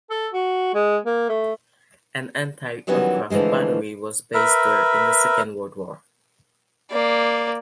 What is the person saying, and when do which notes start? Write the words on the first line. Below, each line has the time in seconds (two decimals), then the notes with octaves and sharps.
An anti-aircraft battery was based there in the Second World War.
0.11 A4
0.33 F#4
0.74 G#3
1.06 A#3
1.29 A3
2.87 D#3 E3 F#3 G3 B3 C#4
3.30 D3 E3 F3 G#3 A3
4.34 A#4 B4 E5
6.91 A#3 D5